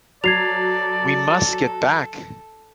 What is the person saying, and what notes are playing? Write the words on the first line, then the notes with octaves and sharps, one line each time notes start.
We must get back!
F#3 A4 D5 G#6 C7 F7